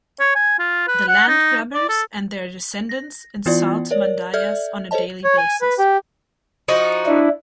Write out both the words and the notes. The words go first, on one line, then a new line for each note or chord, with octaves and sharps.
The land grabbers and their descendants insult Mandayas on a daily basis.
C#5
G#5
F4
B4
F#5
D#4
D5
A4
A#6
E3 B3 E4 F4 D5
A#4 C#5 D5
A4 D5 E5 F6 G6 G#6
A4 C5 C#5 D#5 A5
C#5
G#5
B4
G4
F3 D#4 F#4
D4 E4